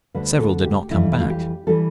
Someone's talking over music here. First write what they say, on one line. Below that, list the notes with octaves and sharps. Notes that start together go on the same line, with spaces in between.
Several did not come back....
D2 D3 G3 B4
A4
G4
F2 E3 G3 E4
E4
F4
G4
E3 G3 A4